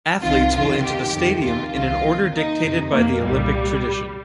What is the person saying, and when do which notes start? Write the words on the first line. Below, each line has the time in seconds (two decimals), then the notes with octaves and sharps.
Athletes will enter the stadium in an order dictated by the Olympic tradition.
0.22 C2 C3 D#3 F4
0.52 F2 C3 D#3 F4
0.83 D#2 D#3 G4
1.12 F2 C3 D#3
1.42 D#2 D#3 F4
1.72 C2 C3 D#3 F4
2.03 D#2 D#3
2.33 D#2 D#3 D#4
2.63 F2 C3 D#3
2.92 F2 D#3 A#3
3.22 C2 A#2 G3